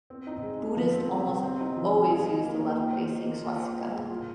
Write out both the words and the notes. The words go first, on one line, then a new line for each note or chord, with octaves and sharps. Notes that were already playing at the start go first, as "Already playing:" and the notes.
Buddhists almost always use the left-facing swastika.
C4
D#4
G#3
G#3
F3
C4
G#4
C3
C4
D#4
F3
F3
G#4
D#5
A#3
A#3
F4
C5
D#5
A#3
F4
C5
D#5
G#3
F4